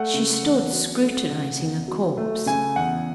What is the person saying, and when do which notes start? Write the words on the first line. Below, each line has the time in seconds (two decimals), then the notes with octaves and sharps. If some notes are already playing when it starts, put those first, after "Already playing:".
She stood scrutinising a corpse.
Already playing: A3 F#5
0.14 C#3
0.43 E2
0.72 F#3
1.01 A3
1.29 C#3
1.60 E2
1.88 F#3
2.17 A3
2.46 C#3 G#5
2.76 E2 F#5